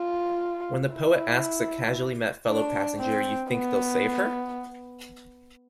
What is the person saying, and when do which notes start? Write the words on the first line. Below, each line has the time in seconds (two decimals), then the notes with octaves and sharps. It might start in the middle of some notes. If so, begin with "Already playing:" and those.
When the poet asks a casually-met fellow-passenger, You think they'll save her?
Already playing: F4
0.94 E4
2.49 D4
2.99 C4
3.50 B3